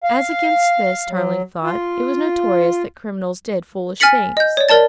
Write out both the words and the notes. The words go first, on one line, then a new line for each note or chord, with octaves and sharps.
As against this, Tarling thought, it was notorious that criminals did foolish things.
F5
F#3
F4
G#5 F6 A6 B6 C#7 F#7
D#5 G6
C#5 D5
A#4 D5 A5 A6